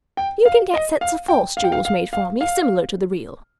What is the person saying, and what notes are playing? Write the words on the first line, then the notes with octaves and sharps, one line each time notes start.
You can get sets of false jewels made for me, similar to the real.
G5
F5
D#5
F5
G5
F5
G5
F5
F5
F5
F5